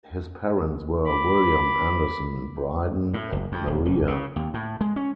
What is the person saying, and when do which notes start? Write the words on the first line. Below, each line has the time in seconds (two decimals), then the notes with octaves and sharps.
His parents were William Anderson Bryden and Maria.
1.07 B5 D6
3.14 A2
3.32 F#1
3.52 F2
3.67 D1
3.85 F1
4.07 C#3
4.36 D#2
4.54 A2
4.81 G#3
4.96 C#4